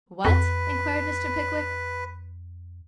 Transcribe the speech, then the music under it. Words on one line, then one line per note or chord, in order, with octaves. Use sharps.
'What?' inquired Mr. Pickwick.
F2 B4